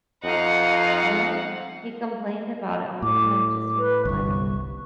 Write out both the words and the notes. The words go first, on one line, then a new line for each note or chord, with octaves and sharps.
Yeah. He complained about it all the time just from sweating.
F2 D#4 F5 F#5
A2 D6
B4
G1 C2 C#6